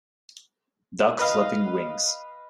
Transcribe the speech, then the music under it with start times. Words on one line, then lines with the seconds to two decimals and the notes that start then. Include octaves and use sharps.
Duck flapping wings.
1.19 B4 D#5 F5